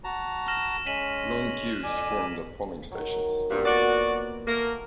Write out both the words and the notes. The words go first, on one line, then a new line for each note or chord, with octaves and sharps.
Long queues formed at polling stations.
F#4 A5 A#5
F6 A#6 E7
G#3 C#4 B6 D#7 F#7
F2 D5 G#5
D#3 F#3
G2 A#2 F#3 B3
F#4 D5
A3 A#3 A#4